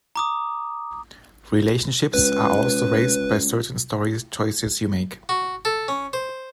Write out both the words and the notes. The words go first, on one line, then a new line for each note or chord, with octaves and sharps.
Relationships are also raised by certain story choices you make.
A#5 D6 D#6
C#2 B4
F#4
A4
C#4
C5